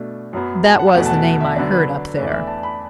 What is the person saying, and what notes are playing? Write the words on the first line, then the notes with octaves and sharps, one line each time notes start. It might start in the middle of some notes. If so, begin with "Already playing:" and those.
That was the name I heard up there.
Already playing: B2 A3 D4
F#2 F#3 B3
A5
F#5
E2 B2 A3 F#5
A5
F#5
F#5
E5
D3 F#3 B3 D4 D5
B4
E2 E3 A3 D4 B4
D5
E5
A5
B5